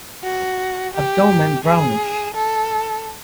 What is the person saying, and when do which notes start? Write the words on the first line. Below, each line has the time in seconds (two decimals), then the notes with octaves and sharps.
Abdomen brownish.
0.23 F#4
0.94 G4
1.64 G#4
2.35 A4